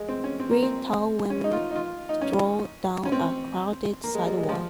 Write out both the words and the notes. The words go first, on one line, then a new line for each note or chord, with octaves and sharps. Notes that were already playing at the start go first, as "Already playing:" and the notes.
Three tall women stroll down a crowded sidewalk.
Already playing: G#3
C4
C#4
C4
A#3
C4
C#4
D#4
F4
D#4
F4
D#4
C#4
C#4
C4
A#3
G#3
G3
G#3
F3